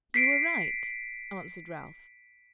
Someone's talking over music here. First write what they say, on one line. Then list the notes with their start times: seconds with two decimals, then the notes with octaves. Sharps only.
'You were right,' answered Ralph.
0.14 B6 C7 D7